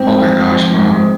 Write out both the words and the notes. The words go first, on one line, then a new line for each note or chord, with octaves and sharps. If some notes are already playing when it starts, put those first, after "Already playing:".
Oh my gosh, wow.
Already playing: G#2 C4
F3
G#2
F3
G#2
G#2